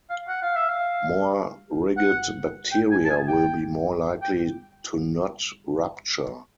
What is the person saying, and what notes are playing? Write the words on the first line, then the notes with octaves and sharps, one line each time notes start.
More rigid bacteria will be more likely to not rupture.
F5
F#5
F5
E5
F5
F#5
G5
G#5
A5
G#5
G5
G5